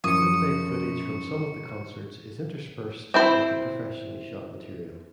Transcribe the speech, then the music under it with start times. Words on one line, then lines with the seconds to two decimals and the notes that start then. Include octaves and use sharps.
Bootleg footage from some of the concerts is interspersed with the professionally shot material.
0.04 F#2 F3 C#6 D#6 C#7
3.14 C4 E4 C5